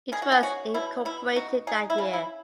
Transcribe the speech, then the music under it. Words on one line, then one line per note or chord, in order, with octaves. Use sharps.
It was incorporated that year.
D#3 G#4
F#4
G#4
C#4 F#4
B2 E4
B2 E4
D#4 F#4
D#4 G#4
E4
C#3
E4